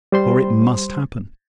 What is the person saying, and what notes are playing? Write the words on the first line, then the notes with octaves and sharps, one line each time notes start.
For it MUST happen.
G3 C5 C6